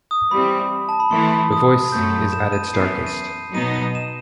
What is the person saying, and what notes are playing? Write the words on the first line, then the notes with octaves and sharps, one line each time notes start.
The voice is at its darkest.
D#6
E3 G3 C4 B5
A5
B5
E3 A3 E4 C6
D#6
F#2 F#3 A3 G6
E7
D#7
F#2 E3 B3 C7
D#7
C7
B2 F#3 B3 D#4 D#7
D#7
E7